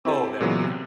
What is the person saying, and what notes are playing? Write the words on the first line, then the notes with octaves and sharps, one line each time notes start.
Oh, there okay, got it.
C4 E4 G4 A4 C5
A#2 C#3 E3 F#3 G#3 B3
C3